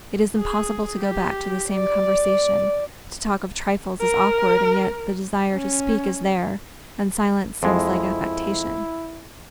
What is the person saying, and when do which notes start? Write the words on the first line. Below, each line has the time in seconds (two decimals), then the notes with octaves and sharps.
It is impossible to go back to the same conversation, to talk of trifles is awkward, and yet the desire to speak is there and silence seems like affectation.
0.36 G#4
0.98 G4
1.70 D5
4.00 A#4
5.53 C#4
7.63 F2 G#3 E4